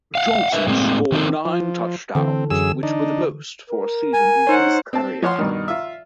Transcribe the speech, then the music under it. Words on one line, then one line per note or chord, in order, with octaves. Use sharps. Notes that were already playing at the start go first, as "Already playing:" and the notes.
Johnson scored nine touchdowns, which were the most for a season in his career.
F5 F#5
A#4 B4 E5
A2 G#3 A#3 C4
D#3 A3 C4 D#4 A4 A#4
F3
D3 E3 C4 A4
F#2 G#4 E6
D4 D#4
A#4
G#5
D#4 C5 C#5 F#5
C4 A5
F3 C#5 F#5 C6
G2 B2 D#3
F4 E5